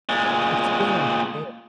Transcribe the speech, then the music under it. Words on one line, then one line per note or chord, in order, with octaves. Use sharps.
it's still unfair,
A#2 G#3